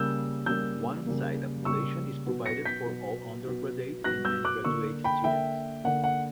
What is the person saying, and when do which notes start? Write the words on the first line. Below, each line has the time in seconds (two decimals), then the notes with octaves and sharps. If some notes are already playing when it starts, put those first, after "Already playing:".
On-site accommodation is provided for all undergraduate and many graduate students.
Already playing: C#3 G3 A#3 E6 G6
0.46 C#3 G3 A#3 E6 G6
1.06 C#3 G3 A#3
1.65 C#3 G3 A#3 C#6 E6
2.26 B2 F#3 B3
2.46 A#6 C#7
2.65 G6 B6
2.86 B2 F#3 B3
3.45 B2 F#3 B3
4.04 B2 F#3 B3 F#6 A#6
4.25 E6 G6
4.45 D6 F#6
4.64 D3 A#3 C#6 E6
5.04 G5 B5
5.24 D3 A#3 E5 G5
5.84 D3 A#3 F#5
6.04 F#5